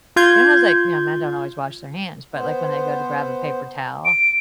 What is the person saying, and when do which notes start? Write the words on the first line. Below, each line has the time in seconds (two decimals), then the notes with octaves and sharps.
You know how it's like, you know, men don't always wash their hands, but, like, when they go to grab a paper towel,
0.16 F4 G6 G#6
2.34 B3 C5
4.05 D7